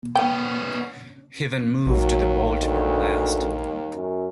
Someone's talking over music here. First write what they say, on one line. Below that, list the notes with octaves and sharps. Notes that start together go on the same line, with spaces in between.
He then moved to the Baltimore Blast.
B3 C#4 G5
A#1 D#2 F#3
D2
F#2